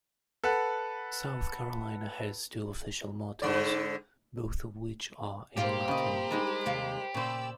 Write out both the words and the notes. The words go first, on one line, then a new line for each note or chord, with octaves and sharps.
South Carolina has two official mottos, both of which are in Latin.
A4 B4 F#5
G#2 D3 D5
A#2 C4 F4 G4 A#4 C5 B5
C#3 D#5
G3 G#3 D#4
D#2 C3 F5
A#2 C#3 C5 D5 B5 E6